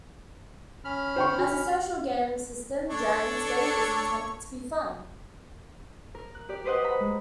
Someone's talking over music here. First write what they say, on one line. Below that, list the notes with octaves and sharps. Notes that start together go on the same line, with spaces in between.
As a social gaming system, Dragon's Gate is intended to be fun.
C#4 B5 F6
C5 G5 C#6
F#4
D4 A4 C#5
A#4
F#6
G4 D5
G4 B4 C5 D#5 F#5
F#5 A#5 B5
G#3